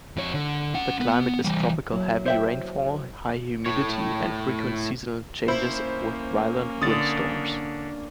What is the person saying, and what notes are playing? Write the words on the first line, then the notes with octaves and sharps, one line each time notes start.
The climate is tropical-heavy rainfall, high humidity, and frequent seasonal changes with violent windstorms.
F2 C#5
D3
C#4 F#5
B3
E3 G3
F#3 A#3 E4
C5 E5 G5
A2 C#5
A#3 C#4 E4 C5
D3 D#6 A6